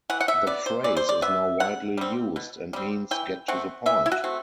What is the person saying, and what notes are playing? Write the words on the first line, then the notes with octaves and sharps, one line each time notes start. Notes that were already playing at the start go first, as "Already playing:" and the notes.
The phrase is now widely used, and means get to the point.
E3 F#5
F#5
E5
B3 D5
C5
E3 D5
C5
D5
B3 E5
B2 F#5
G3 C4
B2
G3 C4
E3 G5
A3 C4 F#5
E3 E5
E4
F#4
A3 C4